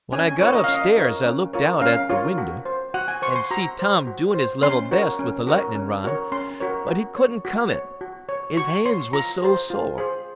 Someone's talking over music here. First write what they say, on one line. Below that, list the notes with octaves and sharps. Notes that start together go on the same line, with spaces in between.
When I got up stairs I looked out at the window and see Tom doing his level best with the lightning-rod, but he couldn't come it, his hands was so sore.
C#4 G#5
G#5
F4 A#4 C#5
D#5
F5
C#4
D#5
F4 A#4 C#5
C#4
F4 A#4 C#5
C#4 F5
F4 A#4 C#5
F#4
C5
F#4 F#5
G#5
C5 C#6
C6
F#4 A#5
C5
F#4
C5
C#4 C6
F#4 A#4 C#5
C#4
F#4 A#4 C#5
C#4
F#4 A#4 C#5
C#4 C6
F#4 A#4 C#5
F#4
C#5
F#4
C#5
F#4
C#5
F#4 C#6
C#5 C6
F4 A#5
G#4 C5
F4
G#4 C5